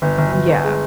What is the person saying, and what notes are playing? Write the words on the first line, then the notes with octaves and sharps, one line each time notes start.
Mm, yeah.
G1
G1
G1
G1
G#3